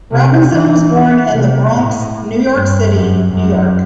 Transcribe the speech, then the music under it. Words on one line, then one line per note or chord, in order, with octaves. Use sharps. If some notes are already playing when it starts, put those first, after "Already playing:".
Robinson was born in the Bronx, New York City, New York.
C3
E3
E3
C3
A2
G2
F#2
F#2